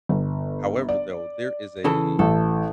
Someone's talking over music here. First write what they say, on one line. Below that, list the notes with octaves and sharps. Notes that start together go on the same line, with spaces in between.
however, though, there is a
G1
D5
C#3 E3 A4
A1 A4